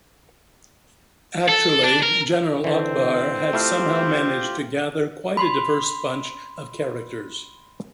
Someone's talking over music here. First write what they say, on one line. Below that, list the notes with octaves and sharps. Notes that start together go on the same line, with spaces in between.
Actually, General Akbar had somehow managed to gather quite a diverse bunch of characters.
A4
D4
A#4
D3 E3 C4
A3 E4 F4 G4 F5
B5 C6